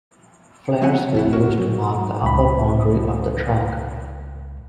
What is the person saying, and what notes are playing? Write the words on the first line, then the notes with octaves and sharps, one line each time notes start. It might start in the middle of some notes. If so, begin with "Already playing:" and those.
Flares were used to mark the upper boundary of the track.
C2 F3 C4 F#4 F#5 G#5
A3 E4 F#5
F#4 A#4 C#5
F#3
C#2 B5